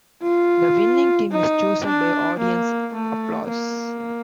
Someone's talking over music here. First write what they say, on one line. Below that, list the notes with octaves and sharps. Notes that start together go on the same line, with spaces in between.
The winning team is chosen by audience applause.
F4
D#4
D4
A#3
A3
A#3